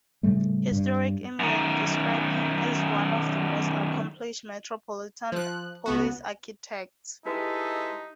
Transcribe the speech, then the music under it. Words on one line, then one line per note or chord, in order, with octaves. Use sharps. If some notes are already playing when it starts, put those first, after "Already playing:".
Historic England describe him as "one of the most accomplished Metropolitan Police architects".
A2 C#3 G3 A3
G2
F#2 D#3
F3 F#6
C#2 B3 F#4
G#3 D#4 E4 G4 A4 B4 E5